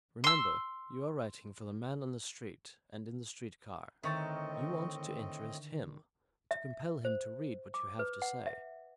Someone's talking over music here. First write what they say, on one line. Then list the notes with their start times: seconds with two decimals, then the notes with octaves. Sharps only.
Remember you are writing for the man on the street and in the street car, you want to interest him, to compel him to read what you have to say.
0.24 C6 E6
4.03 A2 D3 D#3 C4 D#5 E5 C#6 A6
6.51 E5
7.05 C5
7.74 D6
7.99 B4
8.22 F#5
8.47 E5